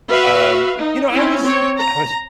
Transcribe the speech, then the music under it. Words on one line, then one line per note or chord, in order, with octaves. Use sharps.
um You know, I was I was
F#4 B4 E5 F5
D#4
C4 C#4 E4
C4 C#5
A#5